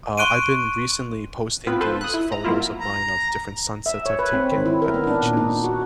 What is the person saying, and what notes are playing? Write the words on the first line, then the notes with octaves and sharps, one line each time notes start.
uh, I've been recently posting these photos of mine of different sunsets I've taken at beaches.
C6 C#6 F#6 D7 D#7
B3 C4 F4 B4
F3 A4 B4 C5
D#6 F#6
E4
A#5
B2 F#3 A#3 E4 F4
A#5
E5
C#5
B4
C4
D#3
E4
A#4
B3
D4
A#2
D#4
F#4